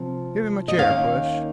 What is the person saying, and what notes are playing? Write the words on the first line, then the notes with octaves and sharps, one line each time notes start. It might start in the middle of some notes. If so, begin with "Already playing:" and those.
"Give him a chair, Puss."
Already playing: C3 F3 C4
D#5
D#2 D#3 A#3 C#4 F5